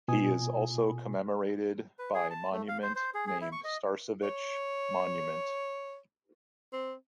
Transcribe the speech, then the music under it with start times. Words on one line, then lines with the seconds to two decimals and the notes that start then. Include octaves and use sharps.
He is also commemorated by monument named "Starcevich Monument".
0.08 B2 F4 G#5 D#6
1.99 B4
2.14 G#4
2.30 A5
2.52 A3
2.68 F5
2.82 C5
2.95 C5
3.14 G#4
3.27 G#4
3.41 E4
3.52 C#6
3.64 D#5
4.23 C#5
6.73 C4